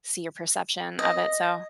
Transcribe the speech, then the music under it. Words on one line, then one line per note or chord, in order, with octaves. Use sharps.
see your perception of it, so I
D#5